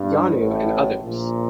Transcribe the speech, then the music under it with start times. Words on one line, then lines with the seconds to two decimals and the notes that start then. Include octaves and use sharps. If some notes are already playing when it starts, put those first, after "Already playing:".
Janu and others.
Already playing: G2
0.33 A1 A2
1.01 A#1 A#2